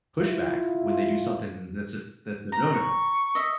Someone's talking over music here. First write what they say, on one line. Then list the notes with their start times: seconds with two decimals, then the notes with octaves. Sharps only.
pushback when they do something that's a that's a no, no.
0.17 E4 F4
2.52 A#5
2.73 C#6
3.35 D#5 E5